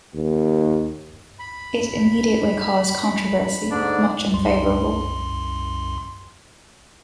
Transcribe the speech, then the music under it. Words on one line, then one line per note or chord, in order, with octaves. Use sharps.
It immediately caused controversy, much unfavorable.
D#2
B5
G#2 D3 D4 D5
C2 F#2 C6